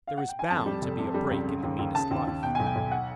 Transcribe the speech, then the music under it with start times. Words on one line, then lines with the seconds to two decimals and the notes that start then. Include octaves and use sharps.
There is bound to be a break in the meanest life.
0.07 F5
0.18 F#5
0.29 G5
0.39 G#5
0.50 F2 A5
0.66 G3
0.82 F1
0.99 C3
1.14 G3
1.31 C#2
1.47 C#3
1.63 D#2
1.79 D#2
1.95 C#3 A5
2.11 D#2
2.27 D#2
2.43 B2 G5
2.55 B1 G#5
2.66 G5
2.76 B1
2.91 F#5